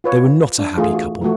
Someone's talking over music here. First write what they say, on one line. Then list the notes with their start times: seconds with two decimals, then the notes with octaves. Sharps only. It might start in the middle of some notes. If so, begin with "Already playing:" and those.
They were not a happy couple.
0.04 F4 B4 C#5
0.59 D4
0.78 E3 A3 F4 G#4
0.94 F#4
1.22 E3 F3 A3 F#4